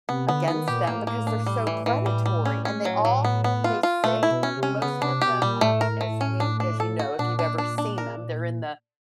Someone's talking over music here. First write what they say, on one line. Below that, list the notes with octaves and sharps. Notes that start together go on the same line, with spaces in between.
against them because they're so predatory. And they all they sit most of the, uh, as we as you know, if you've ever seen them, they're in the
C3 B3
D3 B3
D#3 B3
A#2 G4
A2 A#3
A#3
D4
G3
E3
E3
G3
G3
C#4
C#4
F#3
F#3
B3
B3
F4
F4
A#2 A3
E4
B2
C#4
C3
C#4
C#3 B3
C3 D4
B2 G4
A#2 G3
A2 A3
A#4
A3
C#4
D4
D4
A4
F#4
A#2 D4
D4
D4
D4
A#4